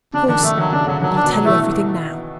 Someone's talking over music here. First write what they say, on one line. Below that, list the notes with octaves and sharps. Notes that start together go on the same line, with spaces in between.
Of course I'll tell you everything now.
C#3 D4
D#3 D4
D#3 A3
D#3 F#3
C#3 D4
D3 F#3
D#3 F#3
D4
B2
F#3
E3 A3